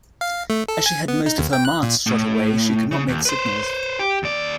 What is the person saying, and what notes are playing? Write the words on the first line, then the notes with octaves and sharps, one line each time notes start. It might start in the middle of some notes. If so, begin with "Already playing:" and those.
As she had most of her masts shot away she could not make signals.
F5
A3
A4
G#5
B3
D#4
D#2
G5
F#6
A#2
A2
C#3
D#2
B4 C5
G4
D#2 D5